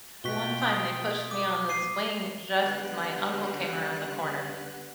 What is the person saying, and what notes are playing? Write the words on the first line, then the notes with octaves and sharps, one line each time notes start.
One time, they pushed me on the swing just as my uncle came around the corner.
B2 F4 F#4 F#5 G5 B6 G7
D#6
D6
C7 D#7
D3 G3 B3 F#6